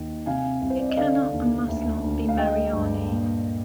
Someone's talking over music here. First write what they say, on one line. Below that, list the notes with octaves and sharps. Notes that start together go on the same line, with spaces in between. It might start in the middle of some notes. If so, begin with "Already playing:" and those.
It cannot and must not be Mariani.
Already playing: D#2 D#3
C3 F5 G#5
C2
C5
D5
D#5
D3 D5 F5
D#2
D2
D2
F5
G#3 D#5 G5
G2
A#2